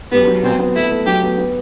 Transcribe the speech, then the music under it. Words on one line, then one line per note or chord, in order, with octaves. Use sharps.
They were hacks.
B3 G4
F#3
B3 C4
B3
A3 E4
A3
F#3 G4
B3
B3